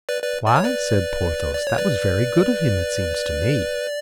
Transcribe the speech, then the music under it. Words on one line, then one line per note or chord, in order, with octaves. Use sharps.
"Why," said Porthos, "that was very good of him, it seems to me."
B4 D5
B4 D5
D5
C#5
B4 D5
D5
C#5
B4 D5